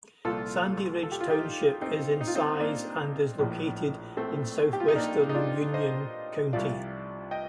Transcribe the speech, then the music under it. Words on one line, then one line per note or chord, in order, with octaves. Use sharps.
Sandy Ridge Township is in size and is located in southwestern Union County.
C2 A#2 F3 F4 A4
A4
G4
F4
D#4 G4
C4 D#4
D#4
F4
C4 D#4
D#4
A#3 D4
A#1 A2 F3
A3 C4
G4
F4
D#4
A#3 D4
D#4
D4 F4
C5 D#5
C2 C3 F3 D5 F5
D#5 G5